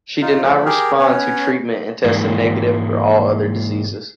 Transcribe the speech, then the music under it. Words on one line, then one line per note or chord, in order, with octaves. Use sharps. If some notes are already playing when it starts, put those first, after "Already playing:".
She did not respond to treatment and tested negative for all other diseases.
D#4 F4
F3 A3
G4 G#4 A#4
B3 C#4 C#5
G#2 E3 G#3 A#3